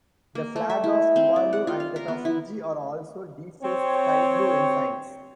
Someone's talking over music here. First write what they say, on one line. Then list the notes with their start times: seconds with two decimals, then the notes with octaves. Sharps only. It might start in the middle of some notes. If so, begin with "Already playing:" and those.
The flag of Tuvalu and that of Fiji are also defaced sky blue ensigns.
0.35 A#3
0.56 A3
0.70 E5
0.84 E4
1.16 C4
1.36 D5
1.53 F#5
1.67 F4
1.80 F5
1.96 A#4
2.08 B3
2.25 E4
3.62 C4 C#5